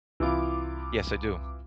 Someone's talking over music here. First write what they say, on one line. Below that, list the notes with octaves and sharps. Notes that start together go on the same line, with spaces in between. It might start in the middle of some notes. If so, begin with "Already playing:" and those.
Yes, I do.
C2 E3 E4 F4 D6